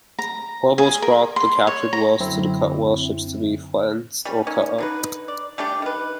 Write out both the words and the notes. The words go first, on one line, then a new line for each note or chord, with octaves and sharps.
Whaleboats brought the captured whales to the whaleships to be flensed or cut up.
A#5
G#4
A#4
C6
C#5
A#5
F#2 D3 C4 E4
G3 C#4
A#3 C#4 D#4
D3 D#4 B4
D5
G3 A3 D4 G4
D#3 B4